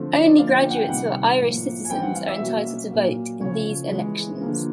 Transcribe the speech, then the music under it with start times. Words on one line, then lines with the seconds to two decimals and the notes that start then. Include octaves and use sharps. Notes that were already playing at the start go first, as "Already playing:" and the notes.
Only graduates who are Irish citizens are entitled to vote in these elections.
Already playing: D3 F3 A3 C4
0.13 D#5
0.26 D5
0.38 D3 F3 A#3 C#4 F5
0.64 G5
0.70 F#5
0.77 G5
0.89 C3 D#3 G3 B3 F#5
1.40 A2 F3 A#3
1.85 G#5
1.90 E3 G3 C4 G5
2.02 F#5
2.15 F5
2.27 E5
2.40 B2 F#3 A#3 C#4
2.91 A#2 F#3 A#3
3.41 C#3 F3 A3 C#4 C#5
3.91 E3 G#3 B3
4.42 D3 F3 A#3